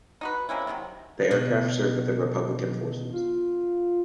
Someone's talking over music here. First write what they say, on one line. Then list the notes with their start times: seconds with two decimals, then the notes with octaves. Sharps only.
The aircraft served with the Republican forces.
0.21 D#4 F#4 B4
0.49 C3 A#3 C#4 E4
0.67 C3 D#3 E3 F#3
1.31 B2
3.12 F4